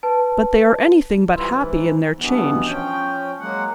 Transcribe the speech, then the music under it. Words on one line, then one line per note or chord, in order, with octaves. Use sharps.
But they are anything but happy in their change.
B4 A5
G#2 E3 G3 E4 F4
G#2 E3
G2 B2 E3 B3
F3 C#4 G5
F#3 G#3 A#3 F#5